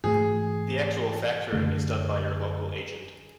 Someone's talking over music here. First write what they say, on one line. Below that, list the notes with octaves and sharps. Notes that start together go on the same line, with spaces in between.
The actual factoring is done by your local agent.
G#2 E3 A3 G#4
F#2 D3 A3